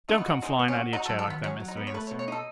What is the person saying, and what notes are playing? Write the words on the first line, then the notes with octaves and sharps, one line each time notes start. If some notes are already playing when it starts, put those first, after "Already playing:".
Don't come flying out of your chair like that, Mr Venus!'
A3 D#4
B3
F#4
G#3 D#4
B3
C#4
F#4
D#4 F#4
A4
F#3
A4
D#3 B3
F#3 C#4
F#3
D#4
B3
C#5
A3 B4
C#5
B2
C#5
D#4 A4